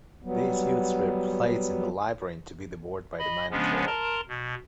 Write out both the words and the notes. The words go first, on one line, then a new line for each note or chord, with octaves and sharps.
These youths were placed in the labyrinth to be devoured by the Minotaur.
F#3 G3 B3
D#5 B5
C#3 F3 G#3 B3 C#4 D4
A#4 A5 A#5 C6
B2